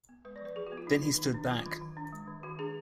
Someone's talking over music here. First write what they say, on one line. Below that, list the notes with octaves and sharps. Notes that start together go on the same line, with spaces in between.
Then he stood back.
B3
G#3 B4
D5
F3 B4
F3 G#4
F#4
B3
F4
F#3 D#4
D#3
D#3
D4
F#3 F4
D#3
D#3
D4
G#3
D#3
D#3 F#4
D4 G#4